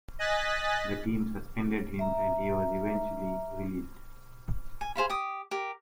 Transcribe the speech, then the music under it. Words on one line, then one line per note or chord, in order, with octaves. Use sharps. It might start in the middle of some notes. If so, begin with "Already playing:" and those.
The team suspended him and he was eventually released.
D#5 G#5 F#6 A6 B6
E5 A#5
G#5
G#4 C5 F5 B5
G4 D#6
G4 A#4